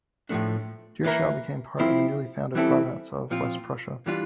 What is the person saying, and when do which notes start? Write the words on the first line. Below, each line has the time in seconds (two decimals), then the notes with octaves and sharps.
Dirschau became part of the newly founded Province of West Prussia.
0.29 A2 F3 A3 D4
1.04 E3 A#3 E4 A#4
1.79 F3 C4 E4
2.55 E3 G3 C4 E4 A4
3.30 A#2 F3 C4 F4
4.06 E3 G3 D4 F4